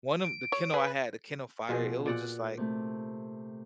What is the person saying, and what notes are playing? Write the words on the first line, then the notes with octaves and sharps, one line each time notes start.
one of the Kindle I had- the Kindle Fire- it was just like
D7
C#5
G#4 B4
B2 F3 G#4
A#2 D5 F#5
C3 A3